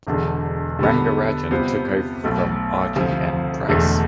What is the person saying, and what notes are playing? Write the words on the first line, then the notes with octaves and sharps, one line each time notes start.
Rangarajan took over from R G N Price.
E1 E2 D3
D3 G3 B3
C3 G3 B3 F4 C5
B1 B2 A3
D2 C3 F3
E1 E2 D3 A3